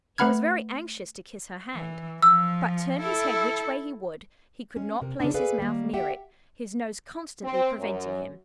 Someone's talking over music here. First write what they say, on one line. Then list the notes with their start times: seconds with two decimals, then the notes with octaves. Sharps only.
He was very anxious to kiss her hand; but turn his head which way he would, he could not place his mouth near it, his nose constantly preventing him.
0.18 A3 B4 F#5 B5 F6 G#6
1.74 E3
2.22 F3 E6
3.02 E4 A4
4.76 G#3 C#4
5.02 C3 A#4
5.20 C#3 E3 B3 C#4 D4
5.34 G#4 A4 B4 D5 F5 G#5
5.58 D#3 G3 A#3
5.93 G4 E5 F#5 G5
7.43 C4
7.79 F#2